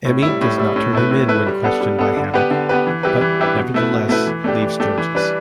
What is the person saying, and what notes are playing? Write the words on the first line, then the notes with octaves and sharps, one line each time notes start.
Emmy does not turn him in when questioned by Hammock, but nevertheless leaves Georges.
A2
G3 E4
A2
G3 E4
A2
A3 E4 B4
A2
A3 E4 B4
G3
B3 D4 A4
G3
B3 D4 A4
D3
B3 G4 B4
D3
B3 G4 B4
E3
G3 E4 G4 B4
E3
G3 E4 G4 B4
B2
A3 E4 B4
B2
A3 E4 B4
E3
A3 D4 G4
E3
A3 D4 G4
E3
G3 D4 B4